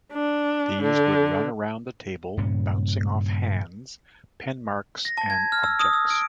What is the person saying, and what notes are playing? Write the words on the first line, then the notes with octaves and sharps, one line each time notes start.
These would run around the table, bouncing off hands, pen marks and objects.
D4
D3
G2 A#2 C#3 C#4
A#6
A5
G#6
F6
E6
D#6
E6
D7